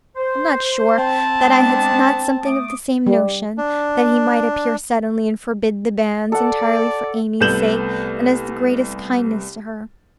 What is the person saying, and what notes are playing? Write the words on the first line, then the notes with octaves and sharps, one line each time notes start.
I am not sure that I had not something of the same notion,--that he might appear suddenly, and forbid the banns, entirely for Amy's sake, and as the greatest kindness to her.'
C5
C4 A5
G#3 B3 D4
A3 D6 D#6
G3
D4
A4 D5 F#5
C2 A3 B3 G6 E7 F#7